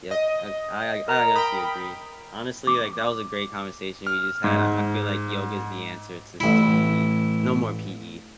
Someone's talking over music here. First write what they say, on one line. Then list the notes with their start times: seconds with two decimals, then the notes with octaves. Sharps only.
yep, I I I I honestly, agree. Honestly, like, that was a great conversation we just had, I I feel like yoga’s the answer to s to PE. No more PE.
0.11 D#5
1.08 A#4 A#5
1.36 G5 B5 D#6
2.67 D6
4.07 F6
4.44 G#2
6.40 A1 E4